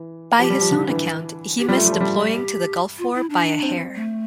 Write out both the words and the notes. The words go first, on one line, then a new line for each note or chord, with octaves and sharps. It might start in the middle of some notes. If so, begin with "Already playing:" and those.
By his own account, he missed deploying to the Gulf War by a hair.
Already playing: E3
F3 G4
G3
F3
D3
E3
G4
G3 F4
A3
G3
F3
G3
G4
F4
E4
D4
C4
A3